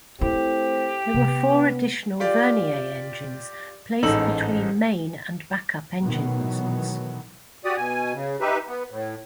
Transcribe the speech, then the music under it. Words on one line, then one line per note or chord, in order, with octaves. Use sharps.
There were four additional vernier engines placed between main and backup engine nozzles.
A3 C4 E4 G4 C5
C3 B3
F4 G4 D5
A1 G#2 D#4 A4 E6 F#7
B2 D#3 E3 F#3 A3 B3
F#4 G4 D5 D#6
B2 G#5
C#3
D#4 G4 B4 E5
B3
A2